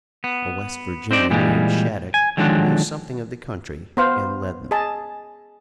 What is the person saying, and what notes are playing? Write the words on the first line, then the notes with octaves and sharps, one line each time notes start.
A West Virginian named Shattuck knew something of the country, and led them.
B3
C4 D#4 C5 D5
A#2 E3 G3 G#3
G#5
D3 D#3 F3 F#3 G#3 D4
B3 C5 F5
G#4 D#5 A5